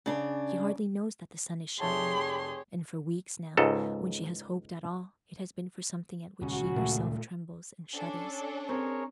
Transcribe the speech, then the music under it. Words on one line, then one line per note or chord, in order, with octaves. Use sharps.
She hardly knows that the sun is shining; and for weeks, now, when she has hoped at all, it has been for something at which she herself trembles and shudders.
C#3 D4
F1 G4 G#4 C#5 E5 A5 C6
C#2 G#2 A4
D#1 C#2 C#3 C#4 F#4
A#2 A3
C#4 D4 A4
C4 G#4 A#4 C#5